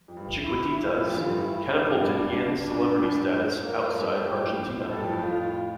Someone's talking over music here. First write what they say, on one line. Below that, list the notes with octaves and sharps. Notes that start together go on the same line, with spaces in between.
"Chiquititas" catapulted Yan's celebrity status outside Argentina.
F2
G2
F2
E4
F2 A2 F4
E3 G3
D3 F3
G2
E4
G2 D4
F2
G2
G2
D4
F2 A2
G2
F2
A#3
F2
G2 A3
G2 A#2 G4
F2 A2
C5
G2 A4
F2 A2
F2 A2
F4